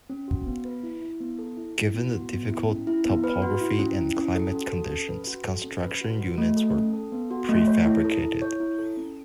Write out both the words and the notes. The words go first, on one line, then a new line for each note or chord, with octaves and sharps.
Given the difficult topographic and climatic conditions, construction units were prefabricated.
C#4
F#4
B3
B4
E4
E4
B3
A4
E4
E4
B3
F#4
B3
E4
C#4
E4
B3
B4
F#4
E4
C#4
E4
C#4
A4
F#4
A4
C#4
B4
F#4
A4
C#4
B4
F#4
F#4
A3
A4
C#4
A4
B3
F#4
A3
C#5
E4
A4
E4
C#5
E4
A4
C#4